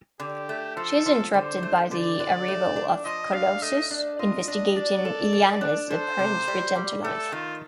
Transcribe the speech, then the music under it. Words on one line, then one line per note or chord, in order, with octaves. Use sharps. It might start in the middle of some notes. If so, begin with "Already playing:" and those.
She is interrupted by the arrival of Colossus, investigating Illyana's apparent return to life.
D3 G4
A3
F3 A4
F3
D3 C5
A3
D3 D5
D3
A3
D4
F3 D#5
D4 F5
A3 D#5
D4
F4 D#5
D4 D#5
D4 D5
A4
A4
D4
A4 C5
C3
G3
G3
A3 A4
D#3 F4